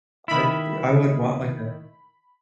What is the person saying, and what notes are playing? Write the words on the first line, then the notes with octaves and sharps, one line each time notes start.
I I would want, like, a
D#3 E4 B5